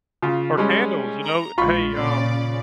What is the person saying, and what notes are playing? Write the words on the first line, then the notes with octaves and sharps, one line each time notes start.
Or candles, you know, "Uh, hey, um,
C#3 F4
G3 G#3 C#4
A#5
A#1 G#3 F4 B5 C#6
A#2 C#3 D5